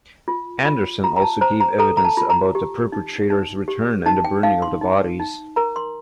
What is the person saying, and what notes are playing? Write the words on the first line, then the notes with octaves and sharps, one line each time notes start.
Anderson also gave evidence about the perpetrators' return and the burning of the bodies.
F4
F4
F4 A#5
A#5
A5
C5 A#5
A#5
A4 A#5
A#5
A5
F4
A#5
G4
D#4
D#4
G4
D#4 A5
G5
D#4 F5
C6
D#4
D#4
A#4 A#5
C6